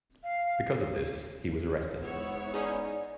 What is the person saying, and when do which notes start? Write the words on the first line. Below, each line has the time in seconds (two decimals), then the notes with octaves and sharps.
Because of this, he was arrested.
0.23 F5
2.00 G#2 B3 E4 C#5
2.54 C#4 D#4 G#4 D5